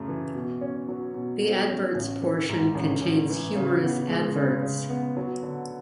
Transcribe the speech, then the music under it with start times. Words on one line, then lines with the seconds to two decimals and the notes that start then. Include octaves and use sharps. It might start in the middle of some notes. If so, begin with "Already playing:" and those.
The "Adverts" portion contains humorous adverts.
Already playing: F#2 C#3 A3
0.08 E3
0.35 B2
0.61 C#4
0.88 F#3
1.14 B2
1.42 B2
1.69 C#4
1.95 A1
2.22 E3
2.49 G#2
2.75 A1
3.02 A1
3.29 E3
3.55 C#3
3.82 B3
4.09 G#3
4.36 C#3
4.62 C#3
4.89 B3
5.17 F#3
5.43 D3